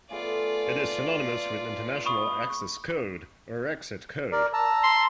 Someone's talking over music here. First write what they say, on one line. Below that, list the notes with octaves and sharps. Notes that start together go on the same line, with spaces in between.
It is synonymous with international access code or exit code.
A3 B3 F4 G#4 D5
B5 C#6 D#6
A#4 D5
A5 A#5 E6
C6